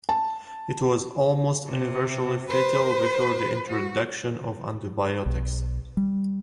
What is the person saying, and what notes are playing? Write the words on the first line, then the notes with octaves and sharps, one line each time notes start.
It was almost universally fatal before the introduction of antibiotics.
A5
C3
B4 C5
F#4
B1
G3